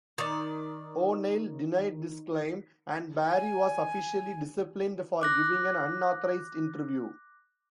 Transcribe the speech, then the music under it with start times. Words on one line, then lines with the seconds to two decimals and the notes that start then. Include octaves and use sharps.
O'Neill denied this claim and Barry was officially disciplined for giving an unauthorised interview.
0.18 D#3 D5
3.31 G#5
5.21 D6 F#6 A#6